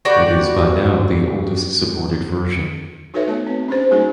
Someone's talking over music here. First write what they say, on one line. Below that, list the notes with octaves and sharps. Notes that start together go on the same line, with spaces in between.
It is by now the oldest supported version.
F#4 G4 B4 D5
D#4 F#4 A4 B4 C#5 E5
A3 B3 A5
C4
C#4 D4 G#4 C5
G3 A#3 D#4 F#4 G#4